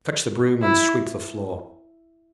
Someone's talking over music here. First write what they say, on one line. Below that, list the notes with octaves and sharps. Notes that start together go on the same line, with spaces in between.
Fetch the broom and sweep the floor.'
E4